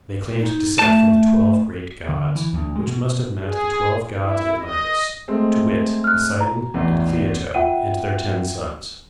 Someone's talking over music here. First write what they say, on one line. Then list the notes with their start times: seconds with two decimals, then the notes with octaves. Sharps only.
They claimed descent from "the twelve great gods," which must have meant the twelve gods of Atlantis, to wit, Poseidon and Cleito and their ten sons.
0.39 D#4
0.79 A3 A5
2.09 D3
2.35 E3
2.53 D2
2.76 G#3
2.87 B2
3.44 G#4
4.18 E4
4.60 D#5
5.28 G#3 A3 C4
6.04 F6 F#6
6.41 A#5
6.74 A1 E2
7.54 F4 E5 F#5 G5 D#7